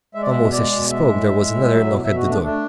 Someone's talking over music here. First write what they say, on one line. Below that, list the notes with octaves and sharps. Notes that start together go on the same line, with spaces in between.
Almost as she spoke, there was another knock at the door.
G#3 E5
D5
B2 E5
G#3 D5
B2
G#3 E5
A2
G#3
A2
F#3
B2
B2 E5
F#4
A3
D4
A3 D4